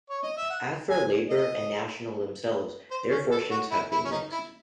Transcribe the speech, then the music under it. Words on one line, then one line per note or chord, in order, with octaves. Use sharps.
As for Labour and National themselves, their fortunes have been mixed.
C#5
D#5
E5
F#5
G#5
D#5
C5
C#4
A4
F#4
E4
E4
C#4
D#4
E4